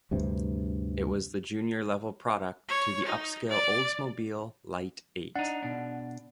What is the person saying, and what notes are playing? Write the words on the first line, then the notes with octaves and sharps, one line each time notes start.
It was the junior level product to the upscale Oldsmobile Light Eight.
D2 G2 C3
C#5
D#4
D5
D4 D#4 F#5
B2 D4